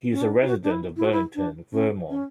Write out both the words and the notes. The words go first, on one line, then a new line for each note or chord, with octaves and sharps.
He is a resident of Burlington, Vermont.
C#4
D4
E4
F#4
D4
E4
E4
F#4
E4
D4
C#4
C#4